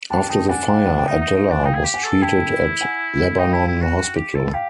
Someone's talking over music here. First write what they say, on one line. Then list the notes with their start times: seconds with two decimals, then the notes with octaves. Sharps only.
After the fire, Adella was treated at Lebanon Hospital.
0.10 D4 G5 A5
0.29 D#4 G5 A5
0.49 D4 F#5 G#5
0.68 F5 G5
0.87 F#5
0.98 G5
1.07 D#4 E5 F#5
1.21 D#4
1.36 D#4
1.50 D4
1.59 G#5
1.64 D#4 F5 G5
1.74 G#4
1.84 G4
1.94 F#5 G#5
2.03 A4
2.22 E4 G5 A5
2.80 F#5 G#5
3.38 D#4 F5 G5
3.53 E4
3.67 E4
3.82 F#4
3.96 F#4
4.16 G4
4.35 A4
4.54 G4 F5 G5